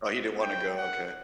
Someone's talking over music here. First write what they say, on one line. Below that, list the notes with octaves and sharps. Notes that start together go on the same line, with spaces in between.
Oh, he didn't wanna go, okay.
G5
F#5